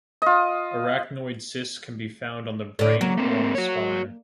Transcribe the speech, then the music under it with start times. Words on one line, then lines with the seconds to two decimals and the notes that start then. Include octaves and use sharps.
Arachnoid cysts can be found on the brain or on the spine.
0.22 F4 D#5
2.79 A2 D3
3.01 F#3 A#3
3.18 A3 C4
3.55 F#4 C#5